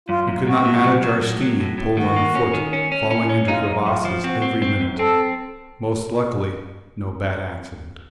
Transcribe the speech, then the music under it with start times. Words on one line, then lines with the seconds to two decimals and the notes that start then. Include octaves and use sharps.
We could not manage our ski and pulled on foot, falling into crevasses every minute--most luckily no bad accident.
0.09 F#2 F4
0.28 F#2
0.47 A2 F#4
0.65 A2
0.84 F#3
1.04 F#3
1.21 A2
1.41 F#3
1.60 A2
1.78 A2
1.97 D#3 F#4
2.16 A#3
2.35 C#4
2.54 D#3
2.73 C#4
2.92 C#4
3.11 C#4
3.29 C#4
3.48 D#4 F4
3.67 F#2
3.86 F#2 F4
4.05 F3
4.23 C4 F#4
4.42 C4
4.62 C4
4.80 F#2
4.98 C4 A4